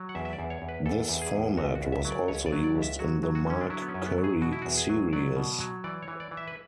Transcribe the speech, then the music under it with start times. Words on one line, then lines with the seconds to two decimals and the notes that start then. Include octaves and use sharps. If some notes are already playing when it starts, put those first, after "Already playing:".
This format was also used in the Mark Curry series.
Already playing: F#3
0.09 F#5
0.15 E2 E5
0.25 E5
0.33 D5
0.39 E2
0.50 C#5
0.62 E2
0.69 B4
0.86 E2 A4
1.09 E2
1.22 G#4
1.33 E2
1.57 C#2 F#4
1.75 F#4
1.81 C#2
1.92 E5
2.05 F#3
2.11 D5
2.28 C#2 C#5
2.46 D5
2.52 F#3
2.64 D5
2.75 C#2
2.82 E5
2.99 F#3 F#4
3.23 F#3
3.35 F#4
3.47 D3 C#4
3.61 D4
3.70 F#3 E4
3.82 B3
3.89 C#4
3.94 F#2
4.06 B3
4.18 F#3
4.24 G#4
4.41 B2 F#4
4.53 E4
4.62 E2 F#4
4.77 G#4
4.89 F#3
5.13 F#3 D5
5.36 B2
5.60 F#3
5.84 E3 D5
6.02 C#5
6.08 E3
6.20 D5
6.31 E3
6.37 E5
6.48 B4